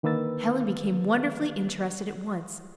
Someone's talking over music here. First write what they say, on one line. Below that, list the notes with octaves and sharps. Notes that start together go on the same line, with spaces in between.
Helen became wonderfully interested at once.
D3 D#3 A#3 B4 E6 A6